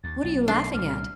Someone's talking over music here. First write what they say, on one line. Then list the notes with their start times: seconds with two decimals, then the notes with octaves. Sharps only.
"What are you laughing at?"
0.04 D#2 A6
0.24 B1
0.48 D4 C7
0.74 C2 A#2 F6